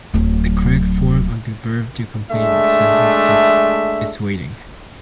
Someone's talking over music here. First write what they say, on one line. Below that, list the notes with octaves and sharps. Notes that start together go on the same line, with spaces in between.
The correct form of the verb to complete this sentence is "is waiting".
D1 F#3
G#3 A3 D4 E5